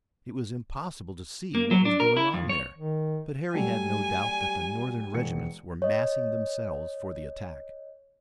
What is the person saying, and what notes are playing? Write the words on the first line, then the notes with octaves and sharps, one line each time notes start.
It was impossible to see what was going on there, but Harry had no doubt that the Northern regiments were massing themselves for the attack.
A#3
F#3
D4
A#4
E4
F2
C#5
D#3
F#3 G3 A3 G#5
E1 C#7
C#5 D#5